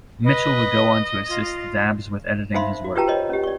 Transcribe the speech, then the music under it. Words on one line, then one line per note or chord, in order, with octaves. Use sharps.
Mitchell would go on to assist Dabbs with editing his work.
B4 D#5
F4
D#4 C5 E5 F5 B5 C6
F#4
F4 G4 B4 G5 A5 A#5
C5 C#5 D#5
C#4 G4
D5 C#6